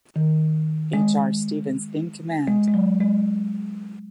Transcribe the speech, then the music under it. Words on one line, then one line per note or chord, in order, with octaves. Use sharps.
H. R. Stevens in command.
D#3
G#3
G#3
G#3
F#3
G#3